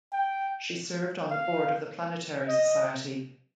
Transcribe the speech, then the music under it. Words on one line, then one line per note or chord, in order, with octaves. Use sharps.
She served on the board of The Planetary Society.
G5
F5
D#5